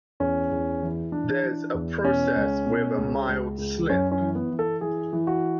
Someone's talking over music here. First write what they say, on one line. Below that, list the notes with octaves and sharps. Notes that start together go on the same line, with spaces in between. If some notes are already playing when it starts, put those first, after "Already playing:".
There's a process with a mild slip.
E2 C#4
E2
E3
E3 D4
E3
E2
B2 C#4
C#2
B2
C#2
C#2
C#2
F#2 C#4
C#4
E3
B3
E3
A4
E3 G#4
E3
F#4